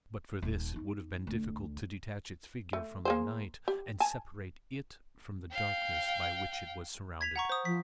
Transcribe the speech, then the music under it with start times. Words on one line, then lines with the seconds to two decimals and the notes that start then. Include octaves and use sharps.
But for this it would have been difficult to detach its figure from the night, and separate it from the darkness by which it was surrounded.
0.42 D#1
0.76 D#4
1.27 D2
2.73 A3
3.05 A#3 G#4 C5
3.68 G4
4.00 G#5 A5
5.53 F5 G5
7.21 G#6 B6 F7
7.36 F#5 A#5 C#6
7.50 C5 D#6
7.65 F3 B6